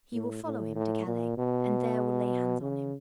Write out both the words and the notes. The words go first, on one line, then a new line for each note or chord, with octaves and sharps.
He will follow him to Calais, and there will lay hands on him.
A2
A2
A2
A#2
B2
C#3